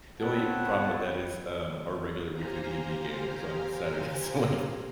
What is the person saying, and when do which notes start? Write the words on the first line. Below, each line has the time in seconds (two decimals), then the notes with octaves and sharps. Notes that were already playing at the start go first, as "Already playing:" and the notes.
the only problem with that is, um, our regular weekly D&D game is on Saturday, so, like,
0.20 B3 C4 B4 C#5 F#5 A5
2.31 G4 C5 F5 G#5 A#5